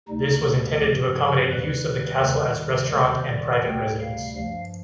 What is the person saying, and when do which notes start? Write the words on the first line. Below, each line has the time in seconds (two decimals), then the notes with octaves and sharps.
This was intended to accommodate use of the castle as restaurant and private residence.
0.08 D2 C3 G3 D#4
0.79 G2 F3 G4
1.16 G#4
1.51 D#2 D#3 G3 B4
2.22 D#2 D#3 G3
2.93 D#2 D#3 G3 C5
3.28 D5
3.64 D2 C3 G3 G5
4.00 F5
4.35 G2 F3 F5